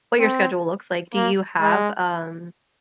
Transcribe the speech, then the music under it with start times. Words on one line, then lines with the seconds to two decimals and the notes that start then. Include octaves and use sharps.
what your schedule looks like. Do you have, um,
0.20 C4
1.14 A#3
1.60 G#3